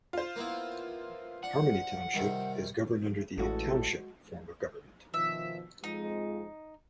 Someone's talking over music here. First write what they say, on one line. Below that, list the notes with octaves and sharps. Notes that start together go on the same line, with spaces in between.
Harmony Township is governed under the Township form of government.
F4 C5
A#3 B3 E4
D4 F#5
C3 D#3 G3
A1 A2 G#3 F#4 A4
B2 D#3 F3 E5
F2 G#3 D#4 F4